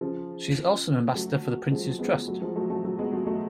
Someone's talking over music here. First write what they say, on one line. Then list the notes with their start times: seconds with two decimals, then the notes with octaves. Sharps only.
She is also an ambassador for The Prince's Trust.
0.01 C#3 F3
1.15 F#3 A3
1.71 F3 G#3
1.99 G#3 B3
2.28 F#3 A3
2.41 F3 G#3
2.56 F#3 A3
2.70 F#3 A3
2.85 F#3 A3
2.98 G#3 B3
3.13 F#3 A3
3.27 F#3 A3